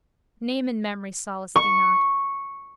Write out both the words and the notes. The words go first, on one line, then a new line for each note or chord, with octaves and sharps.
Name and memory solace thee not.
C#6